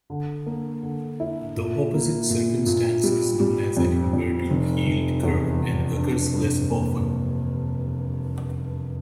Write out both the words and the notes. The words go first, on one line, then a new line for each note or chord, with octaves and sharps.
The opposite circumstance is known as an inverted yield curve and occurs less often.
D3
A#3
D3
E4
A#2
A#3
A#2
A#2
G3
G3
F2
F2
F1
F1
E2
F1
D4
G2
A#3